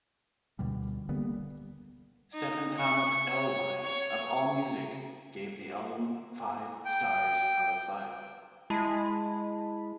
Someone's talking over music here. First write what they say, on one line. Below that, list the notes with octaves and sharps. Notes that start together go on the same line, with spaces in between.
Stephen Thomas Erlewine of AllMusic gave the album five stars out of five.
D2 B2 D3 G3
D3 G3 A#3 B3
D#4
C#6
C#5
C#5
G5
G#3 E4 A5 B5